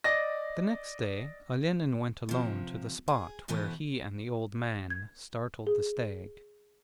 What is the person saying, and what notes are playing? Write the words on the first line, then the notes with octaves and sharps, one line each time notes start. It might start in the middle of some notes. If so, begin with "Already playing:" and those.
The next day Olenin went alone to the spot where he and the old man startled the stag.
D5 D#5 A#6
C3 F3
G#4
B2 E3 A3 B3 C5
G#6
G#4